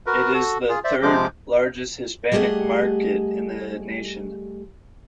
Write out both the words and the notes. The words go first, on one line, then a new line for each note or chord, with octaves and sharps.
It is the third-largest Hispanic market in the nation.
F#4 A#4 B4
F#4 A4
F4 G#4
C5 D5 E5
C3 F3 G#3 C5 D6
G3 A3 G4 G#4 D#5 F#5